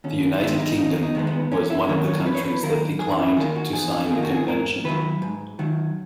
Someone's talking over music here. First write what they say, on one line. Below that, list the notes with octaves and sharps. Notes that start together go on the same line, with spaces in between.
The United Kingdom was one of the countries that declined to sign the convention.
D#2 C#4
D#3 G#3 B3 E4
D#4
D#2 D#4
D#4
D#3 G#3 B3
B3
E2 C#4
E4
D#3 F#3 A#3 C#5
C#5
E2 B4
C#5
B4
D#3 F#3 A#3 A#4
E2 G#4
E4
D#3 A#3 G#4
F#4
E2 G#4
D#3 A#3 G#4
F#4
G#4
G#2 A#4
D#3 F#3 B4
G#2
D#3 F#3